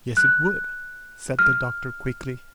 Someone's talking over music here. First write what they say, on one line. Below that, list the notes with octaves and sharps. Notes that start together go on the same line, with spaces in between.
"Yes, it would," said the Doctor quickly.
F#6
F6